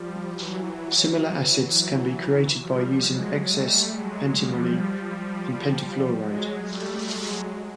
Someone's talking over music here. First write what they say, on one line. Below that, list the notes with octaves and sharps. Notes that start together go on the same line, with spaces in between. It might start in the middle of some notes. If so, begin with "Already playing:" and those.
Similar acids can be created by using excess antimony pentafluoride.
Already playing: F3 G3
E3 F#3
F3 G3
F#3 G#3
G3 A3
F#3 G#3
F3 G3
F#3 G#3
G3 A3
F#3 G#3